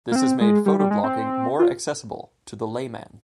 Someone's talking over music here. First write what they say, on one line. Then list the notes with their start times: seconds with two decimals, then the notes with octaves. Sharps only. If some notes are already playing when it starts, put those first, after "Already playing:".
This has made photoblogging more accessible to the layman.
0.11 A#3
0.16 C4
0.41 G#3
0.66 G3
0.79 G3
0.91 G#3
1.03 C4
1.59 F4